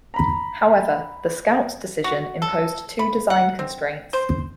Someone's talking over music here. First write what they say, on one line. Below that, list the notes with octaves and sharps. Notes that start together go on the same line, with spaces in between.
However, the Scout decision imposed two design constraints.
A#5 B5
F#4
A4
B5
F#5
C4
C5